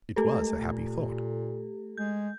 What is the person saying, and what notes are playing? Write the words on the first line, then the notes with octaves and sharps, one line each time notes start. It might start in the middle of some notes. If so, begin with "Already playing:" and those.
It was a happy thought.
G#3 A3 G4 A4
A#2
G#3 G6